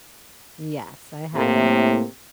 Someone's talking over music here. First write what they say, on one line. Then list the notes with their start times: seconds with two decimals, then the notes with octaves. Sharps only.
Yes, I have.
1.36 A2 C3 A#3